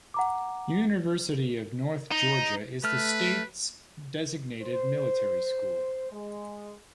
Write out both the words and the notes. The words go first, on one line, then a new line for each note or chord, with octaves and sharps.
University of North Georgia is the state's designated military school.
F#5 A#5 D6
D#4
A3 B4 F6
C5
G#3